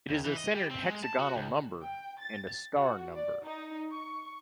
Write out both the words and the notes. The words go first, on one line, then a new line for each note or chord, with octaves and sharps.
It is a centered hexagonal number and a star number.
D#2
E3
D#5
G3
C4
G#3
A5
F#4
C#2
G5
A6
F#4
D5
D#4
C#6